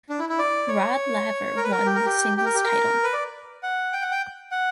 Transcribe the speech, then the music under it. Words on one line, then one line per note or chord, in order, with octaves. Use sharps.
Rod Laver won the singles title.
D4
E4
E4
D5
C#5
A#4
B4
A#4
G4
A#4
G4
G4
A#4
G4
A#4
B4
D5
F#5
G5
F#5
G5
F#5